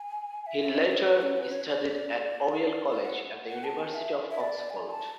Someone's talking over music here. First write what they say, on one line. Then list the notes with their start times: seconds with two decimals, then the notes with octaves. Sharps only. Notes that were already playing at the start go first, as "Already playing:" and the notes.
He later studied at Oriel College at the University of Oxford.
Already playing: G#5
0.46 E5
0.61 E5
0.76 D5
0.91 C#5
1.06 B4
1.22 C#4
1.37 B4
1.52 C#5
1.67 D5
2.89 D5
3.03 F#5
3.49 F#5
3.64 A5
3.79 G#5
3.94 E5
4.31 E5
4.40 D5
4.70 G#5
4.91 A5